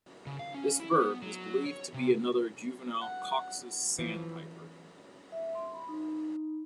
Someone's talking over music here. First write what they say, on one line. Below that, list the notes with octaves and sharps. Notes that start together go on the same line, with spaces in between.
This bird was believed to be another juvenile "Cox's sandpiper".
C#3
F5
C#4
E4
B3
F#3
C#5
C3
F#5
E3 F3
E5
C6
B5
D#4